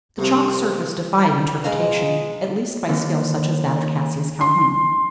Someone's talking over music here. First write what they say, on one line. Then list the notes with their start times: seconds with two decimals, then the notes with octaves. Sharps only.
The chalk surface defied interpretation--at least by skill such as that of Cassius Calhoun.
0.18 C2 C3 F3
1.64 B2 G#3 D#5 F5 A#5
2.89 D#2
4.41 C6